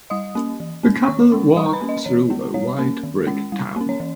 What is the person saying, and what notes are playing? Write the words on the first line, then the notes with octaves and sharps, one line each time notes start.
A couple walk through a white brick town.
G3 D#5 D#6
A#3 C#4
E3
A#3 C#4
D#3 C#5 C#6
G#3 C#4
G3 D#5 D#6
A#5
B4 B5
A#3 C#4
D#5
E3 C#5
G#3 B3
G3 C#5
A#3 C#4
D#3
G#3 C#4
G3
A#3 C#4
C#5
E3